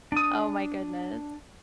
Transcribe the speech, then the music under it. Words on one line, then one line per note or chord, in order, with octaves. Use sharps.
Oh my goodness.
D4 D#6